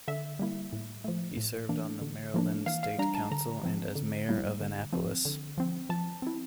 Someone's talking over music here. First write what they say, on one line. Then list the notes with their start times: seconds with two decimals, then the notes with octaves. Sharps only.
He served on the Maryland state council and as mayor of Annapolis.
0.08 D3 E5
0.39 G3 A#3 E4
0.72 A2
1.04 F3 A3
1.37 A2
1.69 E3 A#3 D4
2.01 D3
2.34 F3 A#3 D4
2.66 E3 F5
2.83 F5
2.98 G3 D4 A#5
3.15 A5
3.31 D3 A#5
3.63 F3 C4
3.95 D3
4.29 G3 A#3 E4
4.61 D3
4.93 F3 C4
5.25 D3
5.58 F3 C4
5.89 F3 A5
6.22 C4 E4